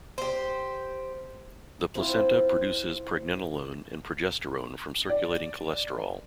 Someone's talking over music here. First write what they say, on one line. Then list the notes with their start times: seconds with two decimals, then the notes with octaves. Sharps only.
The placenta produces pregnenolone and progesterone from circulating cholesterol.
0.18 G4 C5
1.95 C4 E4 F4
5.09 D5